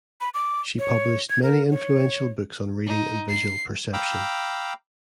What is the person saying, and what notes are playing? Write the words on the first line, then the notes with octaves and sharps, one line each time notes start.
She published many influential books on reading and visual perception.
B5
D6
C#5
G#6
A#4
C#5
D#4
C7
F5 G5 A#5 B5 D6 E6